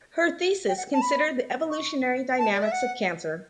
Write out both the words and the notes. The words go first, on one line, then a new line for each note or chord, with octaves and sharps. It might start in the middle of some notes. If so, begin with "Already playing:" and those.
Her thesis considered the evolutionary dynamics of cancer.
G5
F#5
A5
B5
C#6
A5
D5
E5
F#5